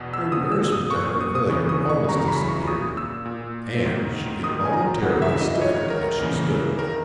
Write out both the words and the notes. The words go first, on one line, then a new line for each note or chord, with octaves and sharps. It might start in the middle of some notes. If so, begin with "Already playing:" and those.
Her embarrassment at her failure almost disappeared, and she involuntarily stiffened as she stood.
Already playing: E2 B2
E6
A#2 D#6
E6
D#6
A#2 C#6
C#6
D#6
D#6
E2 C#3 E3 C#6
D#6
C#6
E2 C#3 E3 A#5
B5
C#6
A#2 D#6
E6
A#2
G#2 D#3
G#2 D#3 D#6
G#5
A#5
E2 C#3 E3 F#5
E5
D#5
G#2 D#3 C#5
A#4
E2 C#3 E3
D#3 A#4